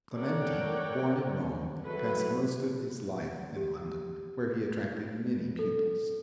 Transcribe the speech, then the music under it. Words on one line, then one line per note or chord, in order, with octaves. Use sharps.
Clementi, born in Rome, passed most of his life in London, where he attracted many pupils.
A4 A#4 C#5 D5 F#5 G5
F#3 E4 A4 B4
G4
A4